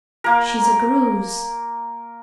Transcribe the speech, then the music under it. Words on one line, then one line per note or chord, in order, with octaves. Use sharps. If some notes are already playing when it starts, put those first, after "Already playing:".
She's a Greuze.
A#3 A#4